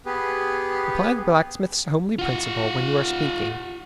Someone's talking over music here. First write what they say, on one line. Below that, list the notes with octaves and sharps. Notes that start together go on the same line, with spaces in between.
Apply the blacksmith's homely principle when you are speaking.
B3 G4 G#4 B4
F4 F#5